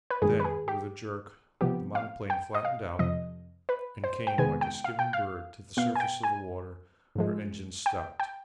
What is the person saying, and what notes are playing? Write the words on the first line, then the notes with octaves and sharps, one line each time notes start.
Then with a jerk the monoplane flattened out and came like a skimming bird to the surface of the water; her engines stopped.
B4
G2 D#3 G#3 G#4
B4
G#4
G4
C3 F3 B3 G4
F5
G5
D#5
F5
F2 C3 F3 D#5
B4
C5
G5
C3 D#3 G#3 B3 G#5
G5
F5
G5
F5
B2 B3 F5
G#5
G5
G#5
G#2 F3 G#3
G5
G5